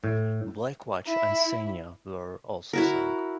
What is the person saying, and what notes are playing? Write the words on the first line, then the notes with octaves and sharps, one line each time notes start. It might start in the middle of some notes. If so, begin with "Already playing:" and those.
"Black Watch" and "Senja" were also sunk.
A2
E4
E4 F#4 A#4